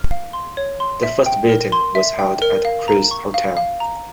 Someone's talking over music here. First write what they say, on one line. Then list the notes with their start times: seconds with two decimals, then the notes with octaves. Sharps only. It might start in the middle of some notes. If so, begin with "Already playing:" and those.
The first meeting was held at Craig's Hotel.
Already playing: F6
0.11 F5
0.33 C6
0.57 C#5
0.80 C6
1.03 E5
1.26 G5
1.49 A#4
1.72 C6
1.95 E5
2.19 G5
2.42 A#4
2.65 F5
2.88 A#5
3.11 C#6
3.34 F5
3.57 F5
3.80 A#5